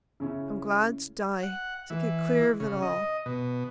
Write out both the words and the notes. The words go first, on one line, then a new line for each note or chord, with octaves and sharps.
I'm glad to die--to get clear of it all.
C#3 C#4 E4
F#5
E3
C#3
D#5
B2